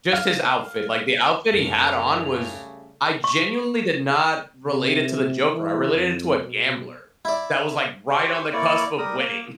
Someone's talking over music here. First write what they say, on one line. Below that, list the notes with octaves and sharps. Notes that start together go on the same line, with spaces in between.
Just his outfit. Like, the outfit he had on was I genuinely did not relate it to the Joker. I related it to a gambler that was, like, right on the cusp of winning.
F5 F6
F#2 C#3 G3 A3 A#4 F7
C#6
C3
E3
F2
B2
E4 D5
G4 C5 C#5
A#3 E4 C#5 D5
G3 A#4 D#6
A#3